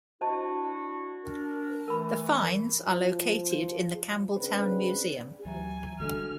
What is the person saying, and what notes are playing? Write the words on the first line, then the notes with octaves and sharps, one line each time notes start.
The finds are located in the Campbeltown Museum.
D4 E4 F#4 C5 D#5 A5
D4 A#4
E3 A3 A#4 B5
F3
C#3 B3 C4 D4 G#4 B4
D2 E3 F#3 G4 E5 G#5 A#5
D3 G3 D4 F#4 A4 D#5 F6